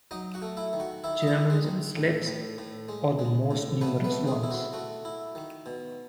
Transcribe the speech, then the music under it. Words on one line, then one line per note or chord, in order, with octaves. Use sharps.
Germans and Slavs are the most numerous ones.
F#3 D#4 D#5
F#4 F#5
A3
E4 E5
D#3
F#4 F#5
D#3 E4 E5
D#5
E4 E5
D#3
G#3 G#4
D#3
A2
A2
A2
G#3
G#3
A2
A3 B3 B4
B3 B4
A3
G#3 G#4
E4
F#4
A3 F#4
E4
D#3
B2